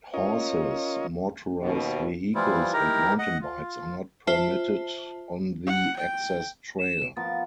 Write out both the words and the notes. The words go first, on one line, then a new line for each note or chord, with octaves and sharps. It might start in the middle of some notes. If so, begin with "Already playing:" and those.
Horses, motorized vehicles, and mountain bikes are not permitted on the access trail.
C#4 F4 A#4 C#5 D#5
D#2 B2
E3 F3 G3 E4 F4
D#4 E4 G4 A#4 A#5
D#5 F#5
F4
F4 C5 E5 A5
F#5
G5
E7
F3 B3 A#4 A6